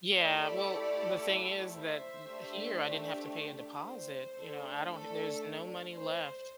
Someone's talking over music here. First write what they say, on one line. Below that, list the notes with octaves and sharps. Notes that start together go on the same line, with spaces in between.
Yeah, well, the thing is that m here I didn't have to pay a deposit. You know, I don't h there's no money left
A3 E4 G4 A4 D5
C5 E5
A3 D4 G4
C5
A3 D4 A4
A4
C5